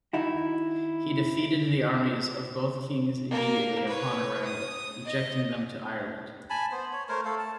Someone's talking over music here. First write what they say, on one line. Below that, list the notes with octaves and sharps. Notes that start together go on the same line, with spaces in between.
He defeated the armies of both kings immediately upon arrival, ejecting them to Ireland.
D#3 D#4 E4 F#4
A#3 A#4
B4 C#5
D#6
D#5
G#5 A5 B5
B3 C5
C#5
A3 A#4 C5 C#5
A3 A4 F5
A5